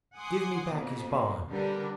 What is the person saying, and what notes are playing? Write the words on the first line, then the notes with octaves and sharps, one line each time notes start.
Give me back his bond.'
F#5 G#5 C6 D6 D#6
F2 B2 A#3
D3 G3 D4 G4 A#4 B4